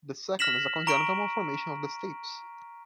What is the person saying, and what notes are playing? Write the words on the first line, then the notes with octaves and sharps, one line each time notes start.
The second is a congenital malformation of the stapes.
F6 A#6 B6 E7 F#7
A#5 C#6 D7